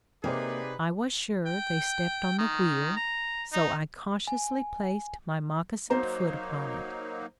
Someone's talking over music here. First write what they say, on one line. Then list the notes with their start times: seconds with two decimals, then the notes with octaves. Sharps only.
I was sure they stepped on the wheel, so I cautiously placed my moccasined foot upon it.
0.24 C3 A#3 D#4 G4 G#4 B4 C5 D5
1.46 G5
2.38 D#3
2.97 A#5
3.53 D#4
4.27 G#5
5.90 F#3 A#3 D#4 C5 A#5